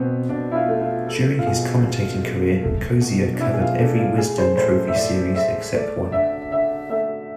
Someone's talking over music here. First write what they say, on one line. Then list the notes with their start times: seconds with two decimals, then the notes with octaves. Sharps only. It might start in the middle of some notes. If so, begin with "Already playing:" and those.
During his commentating career, Cozier covered every Wisden Trophy series except one.
Already playing: B2 B3 C4
0.29 B2 D4
0.51 E4
0.55 F4
0.68 A3
0.81 F4
1.07 G#3 A4
1.39 F4
1.46 B2 G#4
1.86 B2
2.24 G#3
2.63 A3
3.01 B2
3.34 D4
3.40 B2 E4
3.54 G#4
3.60 F4
3.79 A3 D4
3.99 F4
4.18 G#3 G#4
4.38 C5
4.57 A2 C5
4.88 E5
4.95 A2 D5
5.35 G#3 E5
5.74 A3 D5
6.12 D3 E5
6.52 D3 E5
6.90 A3 E5